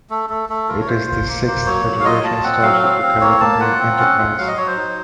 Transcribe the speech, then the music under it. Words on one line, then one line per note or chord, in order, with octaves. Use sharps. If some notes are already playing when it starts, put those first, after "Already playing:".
It is the sixth Federation starship to carry the name "Enterprise".
A3 A4
A3 A4
A3 A4
F4 A#4
C#5
F4 C5
F4
A#3
A#3
F#3 C#5
F#3
F5
F4 D#5
F4 A5
C4 F#5
F#3 F5
C4
C4
A#3 C#5
A#3 A5
F4 F#5
C4
C#4
F4
F#3 F5
D#5
F#3 C#5
C5
D#4